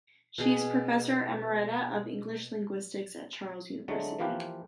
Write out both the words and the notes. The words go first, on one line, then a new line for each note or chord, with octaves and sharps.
She is Professor Emerita of English Linguistics at Charles University.
B2 G#4
D3 F#3 G#3 A3
E3 F3 A#3 F4 G4 B4